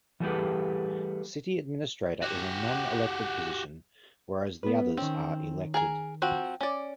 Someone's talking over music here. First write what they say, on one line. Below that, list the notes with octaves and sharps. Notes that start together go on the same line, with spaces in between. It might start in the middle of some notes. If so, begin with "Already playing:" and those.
City Administrator is a non-elected position, whereas the others are elected.
E3 G3 A3 G4 G#4 B4
F#4 G4
B3 B4
D#3 C4 C#4
G#4 A#4 G#5
F3 C4 F#4
C#4 D5